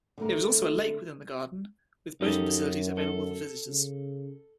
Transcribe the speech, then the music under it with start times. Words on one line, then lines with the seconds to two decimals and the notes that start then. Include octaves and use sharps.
There is also a lake within the garden with boating facilities available for visitors.
0.18 D3 A3 A#4
2.21 F#2 D#4 G4 A4
2.97 A4
3.66 C#3